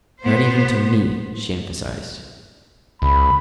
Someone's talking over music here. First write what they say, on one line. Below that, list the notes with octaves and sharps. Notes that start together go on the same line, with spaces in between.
"Not even to me," she emphasized.
B3 C5
C#2 B5